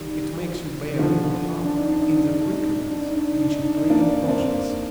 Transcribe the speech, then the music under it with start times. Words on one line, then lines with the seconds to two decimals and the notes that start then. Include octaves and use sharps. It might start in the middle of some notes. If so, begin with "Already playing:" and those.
It makes you bear your half in the trickeries which it plays on conscience.
Already playing: D#3 G3
0.94 D#3
0.99 D3 F3
1.65 D4
1.78 D#4
1.90 D4
2.02 D#4
2.15 D4
2.27 D#4
2.40 D4
2.52 D#4
2.65 D4
2.77 D#4
2.90 D4
3.02 D#4
3.15 D4
3.27 D#4
3.40 D4
3.52 D#4
3.65 D4
3.77 D#4
3.90 A#3 D4
4.22 C4
4.28 A#3 D4